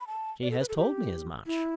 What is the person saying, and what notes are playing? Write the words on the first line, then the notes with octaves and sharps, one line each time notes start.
"She has told me as much."
B5
A5
D5
A4
B4
A4
G4
E4